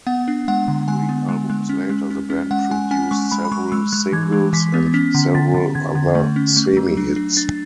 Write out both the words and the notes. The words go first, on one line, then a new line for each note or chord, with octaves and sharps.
Three albums later, the band produced several singles and several other semi-hits.
B3 F#5
D4
G#3 F#5
D3
G#3 G#5
B3
G#3
G#3
C#4
G#3
C#4
C#4
G#3 F#5
G#3 G#5
C#4 G#5
G#3 C#6
G#3 B5
B5
G#3 C#6
G#3 E6
G#3 F#6
E3 G#6
G#3
E3 B6
B3
C#4 B6
D3
D3 A6
D3
D3 G#6
D3
A3
C#4
A3
F#3
D4
D4
D4 A6